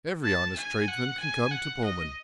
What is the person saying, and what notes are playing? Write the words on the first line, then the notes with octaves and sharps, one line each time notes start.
Every honest tradesman can come to Pullman.
A5
G#5
F#5
G#5
F#5
D#5